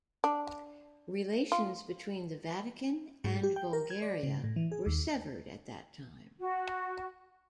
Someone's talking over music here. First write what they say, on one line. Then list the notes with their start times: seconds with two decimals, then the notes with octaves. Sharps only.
Relations between the Vatican and Bulgaria were severed at that time.
0.24 D4
1.52 F4
3.24 G#2
3.43 G4
3.56 G5
3.73 A#4
3.90 G#6
4.02 D5
4.23 C#3
4.44 A2
4.56 E3
4.72 G#4
4.86 D#2
6.39 F#4